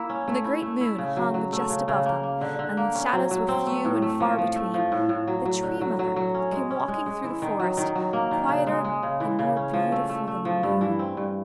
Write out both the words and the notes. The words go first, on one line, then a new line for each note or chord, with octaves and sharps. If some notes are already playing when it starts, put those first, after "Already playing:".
When the great moon hung just above them, and shadows were few and far between, the Tree Mother came walking through the Forest, quieter and more beautiful than the moon.
Already playing: A#3 E4
C#4
A3
E4
A3
E4
C#3
F#3
F#3
A3
C#3
C#3
A#3
A#3
D3
D3
A#3
C#4
F#3
F#3
C4
A3
A2
A3
F3
F3
A3
F3
A2
A2
F#3
F#3
D3
F#3
F#3
F#3
C#4
G#3
C#4
G#3
G#3
E3
D#3
F#3
D#3
F#3
A#3
D#3
C#3
G#3
G#3
C#3
E3
C#3
C#4
F3
A3
A3
A3
F3
G2
E3
C4
G2